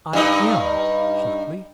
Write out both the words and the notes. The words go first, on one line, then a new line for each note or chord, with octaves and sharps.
"I am!" hotly.
G2 D#4